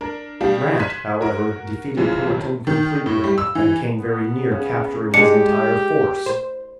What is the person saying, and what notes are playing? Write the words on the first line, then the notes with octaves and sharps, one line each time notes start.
Grant, however, defeated Pemberton completely, and came very near capturing his entire force.
D4 A#4
B2 G3 D4 G4 F5
C6 F#6 G#6 B6 D#7 E7
F#4 A#4
B1 F#2 C#3 E3 F3
F2 D#3 F#3
D#3
A2
G3
E6
E3
B3
C#3
G#3 D4 G4 C#7
C5